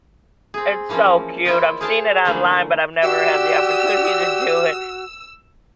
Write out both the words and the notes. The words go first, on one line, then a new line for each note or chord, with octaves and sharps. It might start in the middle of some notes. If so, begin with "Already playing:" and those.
It's so cute. I've seen it online, but I've never had the opportunity to do it
C4 G#4
E3 F3 A#3 C4 C#4
E4 F4 A#4 C5 C#5 D#5
G#4 A#4 C5 F5 G5 A5
D3 E3 F#3 A3 A#3 C#4
F#4 G4 D5 E6